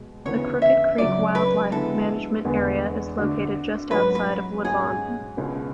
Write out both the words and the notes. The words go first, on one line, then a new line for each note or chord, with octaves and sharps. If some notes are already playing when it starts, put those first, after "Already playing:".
The Crooked Creek Wildlife Management Area is located just outside of Woodlawn.
Already playing: B2 G#3
D2 C#3 E3 B3 C#5
E5
C#3 F#3 C#4 D5
B4
D3 G#3 B3 E4 A4
E2 D3 G#3 B3
D3 A3 D4 F#4
G#2 F#3 C#4 F#4 B4
B4
G#2 G#3 C#4 F#4 G#4
C#2 B2 G#3 C#4